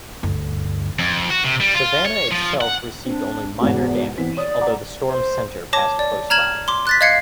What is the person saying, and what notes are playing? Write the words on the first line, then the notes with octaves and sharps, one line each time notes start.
Savannah itself received only minor damage, although the storm's center passed close by.
D2 G2
F2
F#4
C3
G3
F4
C#5
F3
F#5
C4 D4
E2 G#2 B2 B3
E3 B3 C4 B6
C#5 D5 D#6
F#5 A#5 D6
C5
C#5 A5 D6 A#6
D5
A#5 F6 G#6 E7 F#7
C6 D6
F#6 A6 B6
D#5 F5 G#6 C7 C#7